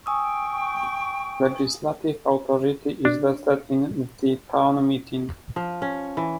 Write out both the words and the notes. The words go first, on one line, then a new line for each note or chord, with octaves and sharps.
Legislative authority is vested in the Town Meeting.
G5 G#5 C#6 D#6 E6
D4
F3
C#4
E3